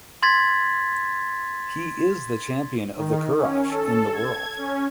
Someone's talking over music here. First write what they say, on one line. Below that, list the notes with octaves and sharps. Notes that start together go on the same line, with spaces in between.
He is the champion of the Kurash in the world.
C6 G#6 A6 B6
D#3
C#4
A4
G#6
C#4